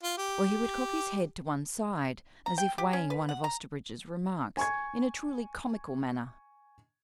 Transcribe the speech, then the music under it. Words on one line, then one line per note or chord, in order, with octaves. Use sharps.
Or he would cock his head to one side as if weighing one of Osterbridge's remarks, in a truly comical manner.
F4
G4
A#5
G5
G4
C#4
B4
F#5
A#5
G#5 C#6 G#6